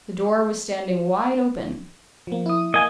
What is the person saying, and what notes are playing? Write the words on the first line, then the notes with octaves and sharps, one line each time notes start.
The door was standing wide open.
F3 A#3
E4 D#6
A#3 D#5 G#5